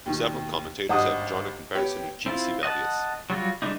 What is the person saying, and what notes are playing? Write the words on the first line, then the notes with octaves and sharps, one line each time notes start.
Several commentators have drawn a comparison with Jean Sibelius.
D#2 B2 D#3
G#1 G2 D#5 F#5 D#6
B3 G4 C#5
C4 E4 F4
D#5 F#5 A5
F#3 G3 F4 F#4
E3 G3 G#3 D4 D#4